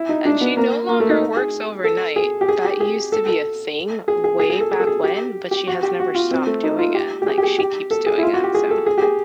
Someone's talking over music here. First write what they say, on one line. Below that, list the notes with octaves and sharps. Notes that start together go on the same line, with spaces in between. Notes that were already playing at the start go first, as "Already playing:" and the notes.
And she no longer works overnight. That used to be a thing way back when, but she has never stopped doing it; like, she keeps doing it, so
Already playing: E4
D#4
D4
B3
A#3
A#3
A3
D#4
G#4
A4
G#4
G4
G#4
G4
G#4
A4
A4
G#4
G#4
G#4
G#4
A4
G#4
A4
G#4
G4
G4
F#4
G4
F#4
F4
C4
A3
D#4
F4
G4
G4
G#4
G4
G#4
G4
A4
G#4
E4
F4
F#4
G4
G#4
A4
G#4
G4
G#4